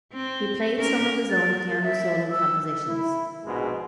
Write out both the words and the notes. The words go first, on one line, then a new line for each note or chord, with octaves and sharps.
He played some of his own piano solo compositions.
C4
A#3 C#4 A#4
A6
A#4
E5
E6
E4
A#1 G#2 B2 G#3